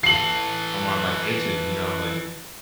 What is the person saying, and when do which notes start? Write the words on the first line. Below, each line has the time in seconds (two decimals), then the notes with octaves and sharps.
I'm I'm like itching, you know? I'm like
0.03 E3 A4 C7 F#7